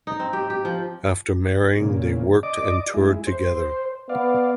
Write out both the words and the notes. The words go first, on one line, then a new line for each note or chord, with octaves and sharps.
After marrying, they worked and toured together.
D#4
C4
G4
G4
F3
A#2 C#3
D5 D#5 D6
G#3 E4
C5
B3 D5 F5